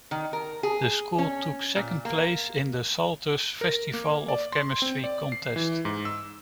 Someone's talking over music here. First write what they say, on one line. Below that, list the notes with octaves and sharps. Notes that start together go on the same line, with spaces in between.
The school took second place in a Salter's Festival of Chemistry contest.
D#3
A#4
G#4
C#4
A#2
A#3
A#4
A#3
D5
C6
C4
D5
C7
E3
G#2
E6